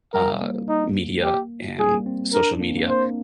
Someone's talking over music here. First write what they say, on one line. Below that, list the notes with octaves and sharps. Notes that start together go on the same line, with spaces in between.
uh, media and social media.
G3 A#4
A#3
D#4
G4
G3 G#4
A#3
C4
D4 A#4
A#3
C4
A#3
A#3 C5